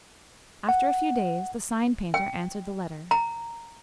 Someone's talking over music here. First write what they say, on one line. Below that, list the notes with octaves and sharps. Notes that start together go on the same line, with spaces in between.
After a few days the sign painter answered the letter.
F#5
G5
A#5